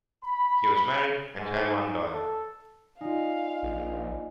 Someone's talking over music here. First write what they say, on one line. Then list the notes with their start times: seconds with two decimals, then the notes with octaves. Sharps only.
He was married and had one daughter.
0.24 B5
1.38 G#2
2.11 A4
3.01 D#4 F4 D5 D#5 F5 G#5
3.63 A#1